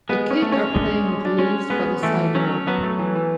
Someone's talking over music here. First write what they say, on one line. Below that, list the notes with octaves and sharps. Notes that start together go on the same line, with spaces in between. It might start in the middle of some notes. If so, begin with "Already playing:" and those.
A kid are playing with leaves by the sidewalk.
G#3 B3
C#4
A3
C#4
G#3 D4
D4
G#3 C#4
G#3 B3
E3 A3
F#3 C#4
F#3 B3
A3
E3
E3